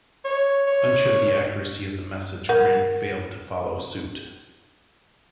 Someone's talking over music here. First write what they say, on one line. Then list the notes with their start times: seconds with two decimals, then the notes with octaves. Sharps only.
Unsure of the accuracy of the message, Grant failed to follow suit.
0.24 C#5
0.67 C#5
2.49 A#4 F#5